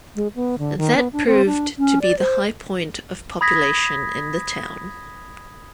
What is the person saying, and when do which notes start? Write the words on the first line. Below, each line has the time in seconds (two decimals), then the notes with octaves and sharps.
That proved to be the high point of population in the town.
0.15 G#3
0.35 B3
0.58 D3
0.78 D#3
0.97 B3
1.13 D4
1.26 C4
1.46 D4
1.79 C#4
2.02 D5
2.19 C5
3.41 B5 D#6 G#6 A#6 B6